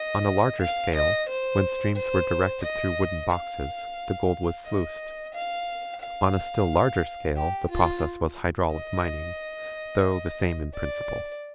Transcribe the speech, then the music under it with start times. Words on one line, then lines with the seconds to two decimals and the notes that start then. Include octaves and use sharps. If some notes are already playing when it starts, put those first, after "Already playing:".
On a larger scale, when streams were directed through wooden boxes, the gold was sluiced; on a still larger scale, the process was hydraulic mining, though the same in principle.
Already playing: D#5
0.61 F5
0.95 D#5
1.28 C5
1.96 C5
2.63 D#5
3.30 F5
4.65 D#5
5.33 F5
6.01 F5
7.36 G4
7.70 F4
8.71 D#5
10.74 D5